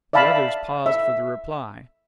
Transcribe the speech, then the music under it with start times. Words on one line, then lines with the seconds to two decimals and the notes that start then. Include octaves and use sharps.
The others paused for the reply.
0.13 D5 E5 F5 A5 B5
0.86 E5